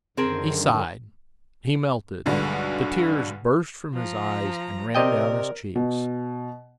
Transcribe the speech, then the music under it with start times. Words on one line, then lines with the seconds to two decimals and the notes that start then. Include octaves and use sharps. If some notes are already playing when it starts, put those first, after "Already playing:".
He sighed; he melted; the tears burst from his eyes and ran down his cheeks.
0.17 F#2 D3 D#3 C4 G#4 A#4
2.26 B1 G2 B2 D3 G#3
3.94 F3 A#5
4.95 C3 A#4 D5 D#5 G5
5.75 B2